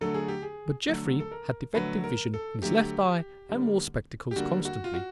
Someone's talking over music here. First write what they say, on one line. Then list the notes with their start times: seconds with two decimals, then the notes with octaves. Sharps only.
But Jeffrey had defective vision in his left eye and wore spectacles constantly.
0.01 D3 F#3 A3 A4
0.14 G#4
0.28 G4
0.42 G#4
0.87 D3 F#3 A3 A4
1.20 A4
1.31 A#4
1.75 D3 F#3 A3 B4
2.04 A#4
2.34 A4
2.62 D3 F#3 A3 G4
3.49 D3 G3 A#3
4.31 G4
4.36 D3 G3 A#3 F#4
4.65 F#4
4.84 F4
4.94 F#4